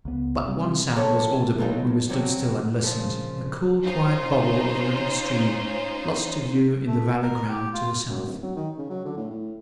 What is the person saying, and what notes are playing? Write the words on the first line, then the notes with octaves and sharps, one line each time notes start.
But one sound was audible, when we stood still and listened--the cool quiet bubble of a little stream, lost to view in the valley-ground to the south.
C#2 B3
C3 G3
A2 F3 A4 C#5 A#5
B2 E3 F#3 D#4 F4
F2
F2 D3 F#3 C4
A#2 C#3 F3
C#4 D#4 F4 C5
A3
A#4
G4
F4
F#2
D1
F#3
D#3
C#3
F#3
D3
A2
A2